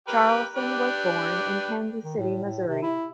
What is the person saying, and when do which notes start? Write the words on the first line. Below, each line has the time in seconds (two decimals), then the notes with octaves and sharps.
Charleson was born in Kansas City, Missouri.
0.08 G4 A#4 B4
0.56 D4 G4 B4
2.04 D#3
2.18 A2
2.44 A2
2.68 C3
2.82 E4